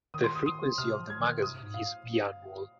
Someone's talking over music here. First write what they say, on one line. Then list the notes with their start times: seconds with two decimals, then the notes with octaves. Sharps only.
The frequency of the magazine is biannual.
0.14 D#3 D#6
0.24 C6
0.35 D#6
0.46 D#6
0.78 C3 F6
1.00 F3
1.10 G#6
1.20 D#3
1.41 C3 D#6
1.63 G#2
1.74 F5